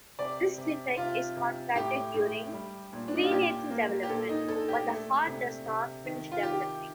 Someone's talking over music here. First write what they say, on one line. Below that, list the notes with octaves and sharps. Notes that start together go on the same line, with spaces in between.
This defect is contracted during prenatal development, when the heart does not finish developing.
C3 D5
C3
C3 F4
C3
A2 G4
A2
G3
A#2
D4
D#4
F4
A#2 G4
A#3
G4
A#2 A4
D#4
A#2 A4
G4
A3 A4
C3
C3
D#3
F4
D#3 G4